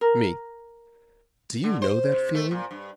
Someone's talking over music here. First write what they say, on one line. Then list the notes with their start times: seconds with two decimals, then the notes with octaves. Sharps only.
ME: Do you know that feeling?
0.01 A#4
1.64 D3
1.82 C5
2.12 C3
2.35 A3
2.51 A#2
2.71 G2